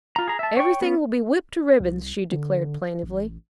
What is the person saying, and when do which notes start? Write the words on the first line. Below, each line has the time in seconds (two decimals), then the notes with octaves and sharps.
"Everything will be whipped to ribbons," she declared plaintively.
0.16 F4 A#5
0.28 G#4 A#5
0.39 E5 A5
0.57 C#5 G5 C#6
0.81 B3 C#4
1.80 C2
2.32 D3
3.03 A1